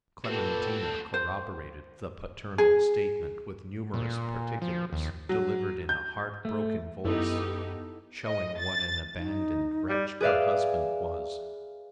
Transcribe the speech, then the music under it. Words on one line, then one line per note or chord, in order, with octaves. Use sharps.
Clementina corroborated the paternal statement with numerous particulars, delivered in a heart-broken voice, showing what an abandoned wretch her husband was.
A#2 C4 F#4 G4 A4 B4 A5 F#6
C5
G#4
A#2
F3
D#2
F#3
G6
A3
F#2 B3 D#4 E4 G4 A4
D#5
A6
D#4
G3
G#4 B4 D5 E5 F5